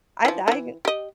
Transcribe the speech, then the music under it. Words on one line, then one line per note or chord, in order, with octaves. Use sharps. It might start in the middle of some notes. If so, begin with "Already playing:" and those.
I I
E3 F3
D#3 E3
G4 D#5